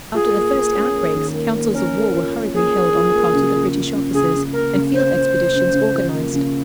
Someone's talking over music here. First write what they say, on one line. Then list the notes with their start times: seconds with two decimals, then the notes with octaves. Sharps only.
After the first outbreaks, councils of war were hurriedly held on the part of the British officers, and field expeditions organized.
0.14 F4 G#4
0.35 A#3
0.55 A#3
0.75 C#4
0.95 A#3
1.15 D#3
1.34 A#3
1.54 A#3
1.74 C#4 A#4
1.95 A#3
2.14 F4
2.34 A#3
2.54 A#3 G#4
2.74 A#3
2.94 F4
3.14 A#3
3.33 C#3
3.53 F3
3.74 C#3
3.94 C#3
4.14 C#3 G#4
4.33 C#3
4.53 A#3 A#4
4.73 C#3
4.93 C#3 C5
5.13 C#3
5.33 C#3
5.54 C#3
5.73 C#3
5.94 F3
6.14 A#3
6.33 C#3